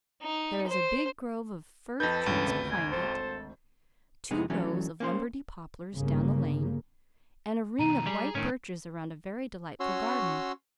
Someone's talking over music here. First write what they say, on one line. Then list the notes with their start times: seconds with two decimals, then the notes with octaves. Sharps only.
There is a big grove of fir trees behind it, two rows of Lombardy poplars down the lane, and a ring of white birches around a very delightful garden.
0.22 D#4
0.67 C5
2.00 F2 A4 B4 D#5 A5 G6 A#6
2.26 C#2 G2 C#4
2.47 G#1 D2
2.71 G#5
2.92 A4 C5
4.31 F2 C3 G#3 B3 D#4
4.50 E3 F#3 A3 C#4 D4
5.00 A#3 C#4 C5
5.98 G1 C#3 A#3
7.79 B2 D#3 A#5 D#7
8.07 G3 G#4
8.35 A2 D#3 C#4
9.80 C#4 F#4 C#5 C6 E6